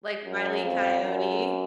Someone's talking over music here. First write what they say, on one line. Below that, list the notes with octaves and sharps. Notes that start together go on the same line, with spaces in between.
Like, Wile E. Coyote?
F#2
F2
F#2